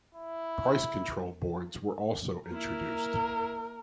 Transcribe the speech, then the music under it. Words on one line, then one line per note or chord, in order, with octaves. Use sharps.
Price control boards were also introduced.
E4
A#3 E4 A#4